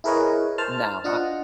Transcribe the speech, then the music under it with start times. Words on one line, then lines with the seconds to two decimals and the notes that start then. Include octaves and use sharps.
No, I
0.04 E4 G#4 A#4 B4 C#5 D#5
0.58 C5 A5 F6
1.04 D4 F4 D#5 F#5